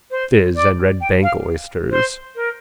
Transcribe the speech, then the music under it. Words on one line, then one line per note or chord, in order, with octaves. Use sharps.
Fizz and Red bank oysters.
C5
D5
G5
F5
C5
A#4